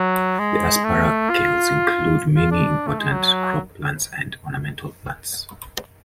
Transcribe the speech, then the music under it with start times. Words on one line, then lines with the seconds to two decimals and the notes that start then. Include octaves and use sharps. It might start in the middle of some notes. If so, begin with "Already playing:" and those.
The Asparagales include many important crop plants and ornamental plants.
Already playing: F#3
0.39 G#3
0.84 A3
1.30 F4
2.36 F4
2.51 D4
2.87 A3
2.99 G#3
3.12 F#3